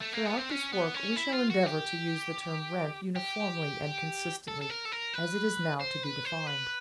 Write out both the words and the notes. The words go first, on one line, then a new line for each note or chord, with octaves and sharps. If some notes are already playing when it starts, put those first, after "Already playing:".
Throughout this work we shall endeavor to use the term rent uniformly and consistently as it is now to be defined.
A3
A#3
B3
C4
C#4
B3
C#4
E4
F4
F#4
G4
G4
A4
A4
A#4
A4
A#4
B4
C5
B4
C5
B4